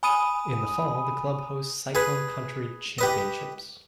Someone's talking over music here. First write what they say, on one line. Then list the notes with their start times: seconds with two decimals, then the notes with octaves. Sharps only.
In the fall the club hosts Cyclone Country Championships.
0.03 G#5 B5 D#6 D#7
1.95 G#4 B4
2.98 G4 B4 D#5